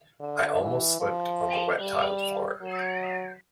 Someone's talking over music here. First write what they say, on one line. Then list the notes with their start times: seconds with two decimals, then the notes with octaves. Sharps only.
I almost slipped on the wet tiled floor.
0.20 D3
0.60 E3
1.00 F3
1.81 G3
2.62 F#3